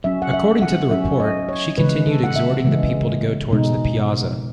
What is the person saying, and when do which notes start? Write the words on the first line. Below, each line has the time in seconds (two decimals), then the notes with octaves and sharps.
According to the report, she continued exhorting the people to go towards the piazza.
0.04 F#3 C#4 E5
0.22 F#5
0.33 E5
0.62 F#5
0.91 F#3 C#4 E5
1.20 D#5
1.49 C#5
1.78 C#3 E3 G#3 B4
2.07 A4
2.24 F#5
2.36 E5
2.65 C#3 E3 G#3
3.51 B2 G#3 D#4